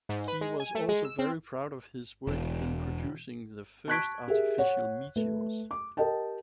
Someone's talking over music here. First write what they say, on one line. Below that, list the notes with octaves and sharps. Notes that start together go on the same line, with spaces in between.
He was also very proud of his work in producing the first artificial meteors.
G#2
B4
G#3
G#5
A3
G#3
E6
C4
E1
A5 C#6 F#6 G#6 B6 D7
G4 G#4 A#4 E5
C#5 F#5
A3 B4
D6
G4 A#4 D#5 G5 A5